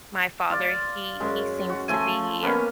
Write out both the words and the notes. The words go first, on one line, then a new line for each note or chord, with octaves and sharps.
My father, he he seems to be
F4 D5
F#2 G#3
F#4
F3 A3 G#5
A#3 B3 C#4